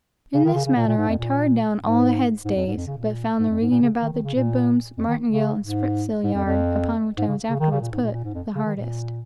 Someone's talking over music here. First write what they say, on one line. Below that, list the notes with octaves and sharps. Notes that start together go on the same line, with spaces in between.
In this manner I tarred down all the head-stays, but found the rigging about the jib-booms, martingale, and spritsail yard, upon which I was afterwards put, the hardest.
C#3
D#3
C#3
C#3
A#2
A#2
G#2
F2
A#2
G#2
G#2
F2
G#2
F2
C#3
A#2
G#2
F2
G#2
A#2
C#3
D#3
D#3
C#3
A#2
F2
D#3
C#3
G#2
G#2
F2
F2
G#2
C#3
C#3
D#3
C#3
A#2
G#2
A#2
A#2
G#2
F2
C#3
D#3
A#2